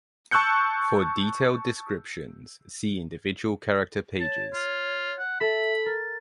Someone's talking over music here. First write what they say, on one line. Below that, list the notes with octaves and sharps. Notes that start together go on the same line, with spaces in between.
For detailed descriptions, see individual character pages.
A5 C#6 E6 F#6 G6 C#7
C#5 A5
F4
F#5
A4 E5 B5
A#4 A6